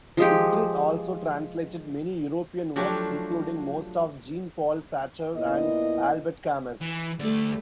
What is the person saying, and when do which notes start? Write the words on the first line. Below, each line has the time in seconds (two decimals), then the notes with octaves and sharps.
Idriss also translated many European works, including most of Jean-Paul Sartre and Albert Camus.
0.17 F3 G#3 G4
2.76 F3 F#3 A3 D4 F4 G4
5.36 A#2 B3 E4 D#5
6.81 E3
7.19 D2 G3 A3 D5